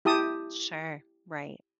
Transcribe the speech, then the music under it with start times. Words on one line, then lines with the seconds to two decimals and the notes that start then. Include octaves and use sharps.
Sure, right.
0.05 E4 G4 A5 D#6